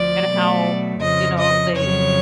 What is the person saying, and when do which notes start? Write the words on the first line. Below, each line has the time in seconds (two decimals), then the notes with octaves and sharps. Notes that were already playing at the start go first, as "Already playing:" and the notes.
and how, you know, they
Already playing: D2 F3 D5
0.25 B2 F#3 A3
1.00 F2 C#3 F3 D#5
1.38 D#5
1.75 F2 C#3 F#3 C#5